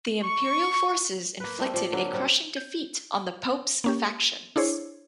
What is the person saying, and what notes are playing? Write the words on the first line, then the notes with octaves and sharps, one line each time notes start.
The Imperial forces inflicted a crushing defeat on the Pope's factions.
C#6
A#3 B4
G3 A3 C4
F3 D5
D3 F#3 A#3
C3 G3
G6
A#3 C#4 G4
D4 E4 G#4 C5 C#5